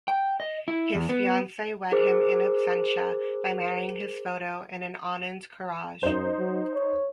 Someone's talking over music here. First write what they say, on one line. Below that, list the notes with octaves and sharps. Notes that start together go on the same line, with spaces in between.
His fiance wed him in absentia by marrying his photo in an Anand Karaj.
G5
D#5
E4
E2
B3
G#4 A#4 C5 D6
F#2 D#4 C5
F#3
C#5